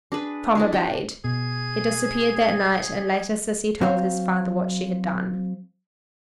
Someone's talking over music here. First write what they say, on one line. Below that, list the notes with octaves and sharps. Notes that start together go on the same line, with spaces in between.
Tom obeyed. He disappeared that night, and later Sissy told his father what she had done.
D4 G#4 B4
D4 E4 G#4
F#4 G5
B2 G#4
F#3 C4 F#4 C5 F5